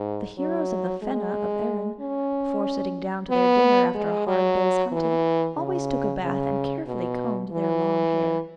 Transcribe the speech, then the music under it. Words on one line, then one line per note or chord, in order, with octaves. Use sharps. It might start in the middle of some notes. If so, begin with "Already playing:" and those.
The heroes of the Fena of Erin, before sitting down to their dinner after a hard day's hunting, always took a bath and carefully combed their long hair.
Already playing: G#2
F#3
G#3
C#4
B3
G#3
F#3
E3
C#3
C#3
B2
E3